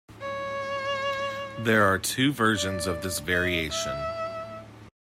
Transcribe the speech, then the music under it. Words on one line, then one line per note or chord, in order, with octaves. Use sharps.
There are two versions of this variation.
C#5
D5
D#5
E5